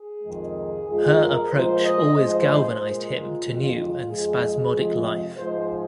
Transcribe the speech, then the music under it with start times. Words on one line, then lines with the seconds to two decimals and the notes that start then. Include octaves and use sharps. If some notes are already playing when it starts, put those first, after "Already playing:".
Her approach always galvanized him to new and spasmodic life.
Already playing: G#4
0.23 F2 C3 D#3 G#3
0.88 F2 F3 G#3 G#4
1.20 A#4
1.51 A#2 F3 G#3 C5
1.84 D#5
2.16 G#2 F3 G#3 C5
2.80 A#2 G#3
3.12 F4
3.44 F2 D#3 G#3
4.08 F2 F3 G#3 G#4
4.73 F2 C3 F3 G#3
5.37 G#2 F3 G#3 C5